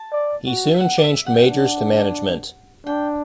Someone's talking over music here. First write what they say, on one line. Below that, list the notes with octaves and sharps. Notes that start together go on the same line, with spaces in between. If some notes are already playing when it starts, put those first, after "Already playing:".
He soon changed majors to management.
Already playing: A5
D5
F#4
E5
F#5
D5
E5
F#5
G5
F#5
D4
D4 G5